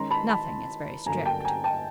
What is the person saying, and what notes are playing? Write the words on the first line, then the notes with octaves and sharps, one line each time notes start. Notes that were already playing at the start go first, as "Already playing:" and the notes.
Nothing is very strict.
Already playing: D#3 G#3 C#4 A#5 C6
A5 B5
A5 B5
G2 D3 F#3 A#3 G#5 A#5
G5 A5
G#5 A#5
G5 A5